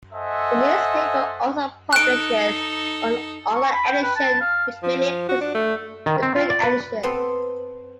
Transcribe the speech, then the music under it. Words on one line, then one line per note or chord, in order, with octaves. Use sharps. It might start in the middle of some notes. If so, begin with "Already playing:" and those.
The newspaper also publishes an online edition, which mimics the print edition.
A4 C5 D#5 E5 F#5 G#5
D#4 A4 F#6 D7
C#6
B5
G5
B4
A5
F5
F3
F#4
D4
A3
D#3
C4
F4
D5
B4
B3 C4 A4 C5